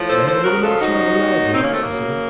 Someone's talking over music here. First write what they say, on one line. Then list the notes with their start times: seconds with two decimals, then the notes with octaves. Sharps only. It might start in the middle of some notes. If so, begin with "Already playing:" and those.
'But I have a little more time allowed me,' he said.
Already playing: A2 F3
0.08 A4 C5
0.27 A4 C5
0.44 F#2 C#3 F3 F#4 A#4
0.63 F4 A4
0.81 D#4 F#4
1.17 D#2 D#3 F#3
1.53 C4 D#4
1.63 A#3 C#4
1.72 A3 C4
1.81 A#3
1.90 F#2 C#3 F#3